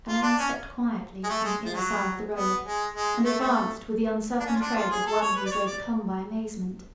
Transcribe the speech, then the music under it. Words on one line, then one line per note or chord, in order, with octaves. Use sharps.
A man stepped quietly from the inner side of the road and advanced with the uncertain tread of one who is overcome by amazement.
F4
D4
C#4
G#3
A3
G#3
F3
F#3
B3
G#3
G#3
A3
A3
D4
C#4
F4
D4
F4
G#4
A4
C#5
B4
D5
C#5
D5